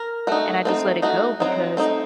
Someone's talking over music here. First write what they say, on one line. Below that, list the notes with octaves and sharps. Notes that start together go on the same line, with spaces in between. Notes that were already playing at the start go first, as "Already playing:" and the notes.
And I just let it go because
Already playing: A#4
A3 D#4 F#4
A3 C4 D#4
A3 D#4 F#4
F#3 C4 D#4
A3 C4 D#4